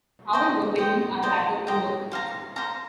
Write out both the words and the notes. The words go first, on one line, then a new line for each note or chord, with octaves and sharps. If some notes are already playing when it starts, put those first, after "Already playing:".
However, many are rather poor.
C5 D#5 G5
C5 D#5 G5
C5 D#5 G5
C5 D#5 G5
C5 F5 A#5
C5 F5 A#5